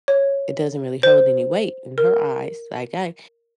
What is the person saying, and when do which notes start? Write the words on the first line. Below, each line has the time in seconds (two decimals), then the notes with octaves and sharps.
it doesn't really hold any weight in her eyes. Like, I
0.08 C#5
1.03 C5
1.98 A#4